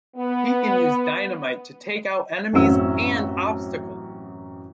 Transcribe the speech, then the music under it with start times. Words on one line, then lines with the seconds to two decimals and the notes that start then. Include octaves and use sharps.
He can use dynamite to take out enemies and obstacles.
0.17 B3
2.53 A1 F#2 C4 C#4 F#4 E6